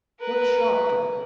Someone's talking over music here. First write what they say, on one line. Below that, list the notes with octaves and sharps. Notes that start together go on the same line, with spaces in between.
"What shocked her?"
A#4 B4